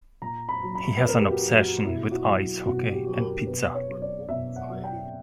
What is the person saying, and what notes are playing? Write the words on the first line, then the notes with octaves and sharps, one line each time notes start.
He has an obsession with ice hockey and pizza.
A#2 A#5
B5
F#3
B5
B4
A#2
A#4
G4
F#4
F#3
F#4
B2 E4
E4
F#4
F#3
B2 F#4
G4
F#3
G4
A#4
B2 B4
C#5
F#3
D5
B2 E5
F#5
F#3
G5